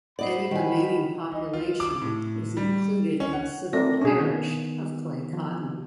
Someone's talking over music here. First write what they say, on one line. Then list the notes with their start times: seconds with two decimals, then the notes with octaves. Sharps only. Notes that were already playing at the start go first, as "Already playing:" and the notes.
Any remaining population is included in the civil parish of Clay Coton.
0.19 C5 D5 D#5 F#5 B5
0.51 D#3 G#5
1.32 D#4
1.53 F4
1.80 D6
2.01 A2
2.57 G3
3.20 C#4
3.33 F#5
3.73 A3 C4 A#4 D5 A#6
4.01 B2 C#4 D4 G#4
4.20 D#3 B3
5.33 F3